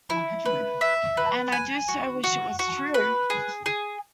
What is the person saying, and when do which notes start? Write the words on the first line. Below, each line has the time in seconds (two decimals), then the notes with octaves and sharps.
And I do so wish it was true!
0.10 E4
0.45 B4
0.81 E5
1.17 B4
1.52 G#5
1.88 F#4
2.24 F#4
2.59 F#4
2.94 B4
3.30 G#4
3.66 G#4